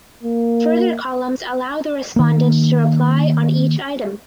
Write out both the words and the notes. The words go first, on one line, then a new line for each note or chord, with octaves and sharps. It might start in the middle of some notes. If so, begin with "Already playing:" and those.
Further columns allow the respondent to reply on each item.
A#3
D#3 A#3